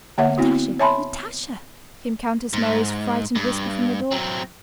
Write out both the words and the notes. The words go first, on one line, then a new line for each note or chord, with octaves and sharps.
"Natasha, Natasha!" came Countess Mary's frightened whisper from the door.
D3 A#3 C#5 E5 F#5
B3 C4 E4 F#4
C#5 E5 G#5 A5 B5 C6
G#2
G2
F#3 C4